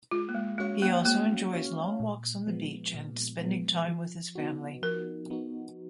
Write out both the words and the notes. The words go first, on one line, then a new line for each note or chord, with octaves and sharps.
He also enjoys long walks on the beach and spending time with his family.
G#3 F4
A#3
G#3
G#3 C#4 F#4 C#5 F5
A#3
G#3 A#3
C#4 F#4 C#5 F5
A#2
F3 G#3 B3
A#2
F3 G#3 B3
F3
B3 D#4 F#4
F3 A#4
B3 D#4 F#4